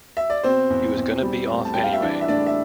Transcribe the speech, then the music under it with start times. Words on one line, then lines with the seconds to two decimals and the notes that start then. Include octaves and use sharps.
He was gonna be off anyway!
0.17 E5
0.30 D5
0.44 B2 C4 C5
0.70 E2
0.97 E2
1.23 G3
1.50 A2
1.65 A5
1.74 G3 G5
1.84 F5
1.93 E5
2.02 E3 D4 D5
2.21 E5
2.28 A2 D4 D5
2.47 E5